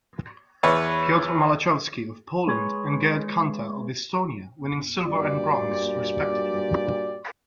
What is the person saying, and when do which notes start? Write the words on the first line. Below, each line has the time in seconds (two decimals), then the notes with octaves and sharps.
Piotr Malachowski of Poland and Gerd Kanter of Estonia winning silver and bronze, respectively.
0.63 E2 B4 C#5
2.48 G#3 G#4 B4 C#5
5.07 G2 A#2 F#4 G4 D5